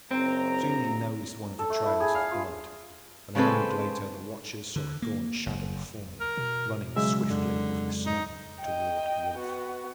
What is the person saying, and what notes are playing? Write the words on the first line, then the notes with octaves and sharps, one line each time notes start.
Soon he nosed one of the trails of blood, and a moment later the watchers saw a gaunt shadow form running swiftly over the snow toward Wolf.
F#1 C4 A#5
A4
A3
E4
G#4
F5
F4
C#3 G#3 C4 A4 B4
D3
A#3
F#1
A#4
B2
C#3 F#3 G#3 E5
F2 D3
D#4
D#5 G5
B3 F#4